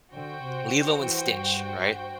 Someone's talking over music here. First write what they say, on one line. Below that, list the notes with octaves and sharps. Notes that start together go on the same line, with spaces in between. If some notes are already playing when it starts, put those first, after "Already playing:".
Lilo and Stitch, right?
D3 F#4 C5 G5
C3
D3
E3
G2